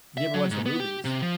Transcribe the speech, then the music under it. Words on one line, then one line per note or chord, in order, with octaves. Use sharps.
did you ever watch the movies?
E5
F#3
G#2
B3
G4
C3
F3